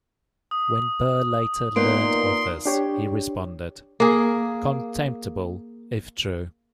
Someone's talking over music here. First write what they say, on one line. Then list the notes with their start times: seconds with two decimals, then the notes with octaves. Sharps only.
When Burr later learned of this, he responded: Contemptible, if true.
0.51 D#6
1.76 A#2 A#3 B3 D#4 C6 D7
2.66 D4 G4 C#5
4.00 A#3 G#4